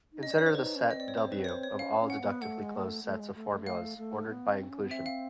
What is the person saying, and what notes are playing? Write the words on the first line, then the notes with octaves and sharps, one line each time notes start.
Consider the set "W" of all deductively closed sets of formulas, ordered by inclusion.
D#4
D#5
C#4
D4 D5
C#5
C5
D#4 B4
C#4
D#5
C4 D5
C#5
C5
B4
C#5
C5
C#5
C4
C#4 F5
C#4
F#5
B3
A3 F#5
G#3
A#3
A3
A3
G#3
A3
A3
A3 F5
A3
B3
C4
C#4
B3
C4 E5
F5